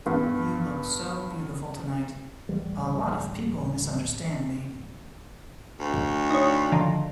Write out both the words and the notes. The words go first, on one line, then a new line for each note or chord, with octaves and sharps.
You look so beautiful tonight... A lot of people misunderstand me.
G2 B2
D1 A1 G3
D2
D#4 C#5
D3 D#3 F3